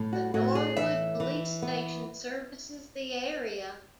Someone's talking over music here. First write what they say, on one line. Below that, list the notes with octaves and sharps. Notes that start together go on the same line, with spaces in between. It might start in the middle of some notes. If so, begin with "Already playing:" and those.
The Norwood Police Station, services the area.
Already playing: A2
F#4
A2 F#4
G#4
E3 E5
E3
B3